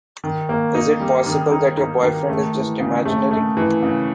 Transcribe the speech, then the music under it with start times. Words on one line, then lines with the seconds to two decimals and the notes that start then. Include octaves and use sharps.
Is it possible that your boyfriend is just imaginary?
0.24 D#3
0.49 A#3
0.75 D#4
1.00 G3
1.26 D#3
1.52 D#4
1.77 D#4
2.03 D#3
2.29 A3
2.54 E3
2.80 C#3
3.05 A3
3.31 A3
3.57 E3
3.83 C#3